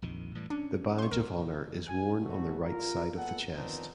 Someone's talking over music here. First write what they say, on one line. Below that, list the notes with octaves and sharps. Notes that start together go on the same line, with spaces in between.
The badge of honor is worn on the right side of the chest.
A#1 F2 D#3
A2 E3 G3
C#4 D4
C6 C#6
C#2 A#4
G#5
A1 D2 C3 A3 F#4
F4 A#4
A#3 B3 F4 A4 F#5
D#3 F3 B3 C4 D4 D#4